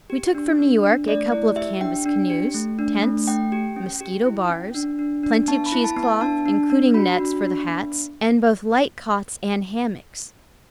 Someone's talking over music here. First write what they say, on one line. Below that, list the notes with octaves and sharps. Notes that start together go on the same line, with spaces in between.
We took from New York a couple of canvas canoes, tents, mosquito-bars, plenty of cheesecloth, including nets for the hats, and both light cots and hammocks.
G4
D4
D4
D4
A3 D5
E4 D5
G4 E5
D4 G5
D4
G4
A3
D4
A3
A3 G5
G4
C#4
G4
E4
C#4
D4
D4
D4
B3 A5
B5
E4
A5
B3
A5
D4 A5
D4
D4
F#4 B5
D4
D4
B3